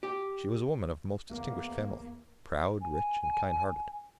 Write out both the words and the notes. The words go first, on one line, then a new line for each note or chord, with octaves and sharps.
She was a woman of most distinguished family, proud, rich, and kind-hearted.
G4
E2 A#3
G#5